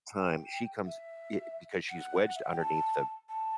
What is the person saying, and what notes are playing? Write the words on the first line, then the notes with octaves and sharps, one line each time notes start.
time she comes, eh, because she's wedged underneath the
G5
E5
F#5
E5
F#5
G5
A5
A5